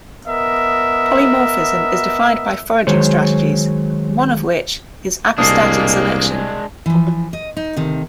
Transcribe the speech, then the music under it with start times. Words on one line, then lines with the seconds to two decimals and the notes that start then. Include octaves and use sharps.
Polymorphism is defined by foraging strategies, one of which is apostatic selection.
0.27 B3 A#4 D#5 E5
2.87 D#3 F#3 G#3 G#4 C5 C#5
5.38 C2 G#3 A#3 D4 D#6 C7
6.86 E3 F3
7.33 D#5
7.57 D#4
7.76 D2 C3 D#3